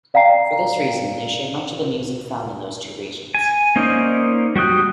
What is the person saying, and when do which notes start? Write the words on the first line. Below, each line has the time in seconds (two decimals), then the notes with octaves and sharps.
For this reason, they share much of the music found in those two regions.
0.14 D5 F5 G5 A#5 C7
3.35 G#5
3.76 A#3 C#4 D#4 C5 D5
4.55 G3 F#4 G5 D#6 F#6